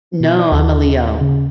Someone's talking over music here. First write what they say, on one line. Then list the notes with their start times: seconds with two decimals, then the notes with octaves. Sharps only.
No, I'm a Leo.
0.20 B2
0.39 D5
0.52 D#2
1.21 C#3